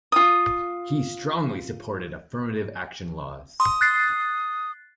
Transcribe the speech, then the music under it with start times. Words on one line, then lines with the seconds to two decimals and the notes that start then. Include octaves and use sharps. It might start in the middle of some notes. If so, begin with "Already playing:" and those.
He strongly supported affirmative action laws.
0.12 F4 D#6
3.60 C6 D#6
3.81 F#6 A6 C7